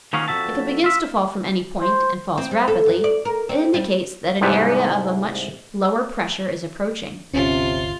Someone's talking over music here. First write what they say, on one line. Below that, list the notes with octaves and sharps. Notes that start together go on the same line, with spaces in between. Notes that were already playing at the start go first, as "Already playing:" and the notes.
If it begins to fall from any point, and falls rapidly, it indicates that an area of a much lower pressure is approaching.
D#3 F3 A#3 C#4 F#4 G#4
F2 F#3 F#4 E5 A5
F4 E5
C5
C4
G3
A4
F#2
D5
A#4
C4
G3
C2 G#2 C3 G3 B3
G1 D2 C3 C#4 F4